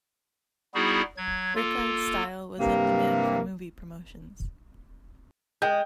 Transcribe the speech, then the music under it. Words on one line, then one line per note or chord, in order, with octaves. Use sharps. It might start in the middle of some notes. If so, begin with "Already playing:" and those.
Rickard's style was in demand for movie promotions.
G3 B3 D#4 E4 F#4 G#4
F#3 G#6
A#3 F4 A4
G2 C3 A#3
G#3 G5 G6